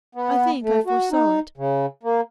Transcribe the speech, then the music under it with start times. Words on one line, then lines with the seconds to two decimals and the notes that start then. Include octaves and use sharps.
I think I foresaw it.
0.15 B3
0.63 A3
0.86 F#4
1.11 D#4
1.57 C#3
2.03 A#3